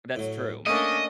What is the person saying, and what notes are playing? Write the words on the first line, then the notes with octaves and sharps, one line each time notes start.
That's true.
A2 F#3
A3 A#3 C#4 D4 D#5